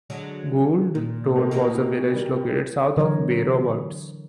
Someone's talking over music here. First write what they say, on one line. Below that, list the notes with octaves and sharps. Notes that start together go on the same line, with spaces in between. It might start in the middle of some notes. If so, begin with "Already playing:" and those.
Goulds Road was a village located south of Bay Roberts.
D3 F#3 G#3
A#2
B2 D#3 A3
A#2 E3 A#3
D#3 G3
D3 E3 F#3 A#4 C#5